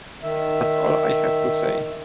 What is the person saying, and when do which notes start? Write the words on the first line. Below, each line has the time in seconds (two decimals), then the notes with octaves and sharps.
That's all I have to say.
0.23 D#3 E5